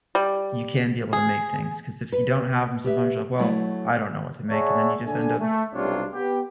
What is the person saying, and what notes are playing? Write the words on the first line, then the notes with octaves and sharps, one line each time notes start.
you can be able to make things, 'cause if you don't have 'em, sometimes you're like, well, I don't know what to make, and then you just end up
G3
G#4
B4
G4 B4 E5
F#3 A3 E4
G#4 C#5 D5 E5 F#5 A5
D3 D4 A4 G#5
A3
B1 C3 G3 D4 F4 C#5
B3 G4